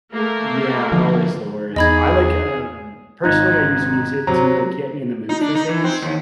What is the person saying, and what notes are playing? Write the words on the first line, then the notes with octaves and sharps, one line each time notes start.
Yeah, always the worst. I like, um, personally, I use music to, like, get me in the mood for things.
A3 A#3 A#4
D3 F3
E2 D#4 G#4 D#5 B5 G#6
G#1 D#4 F4 A#5 F#6 G#6
C3 F#3 C5 A#5
D#4
D4
D#4
E3
C4
D#2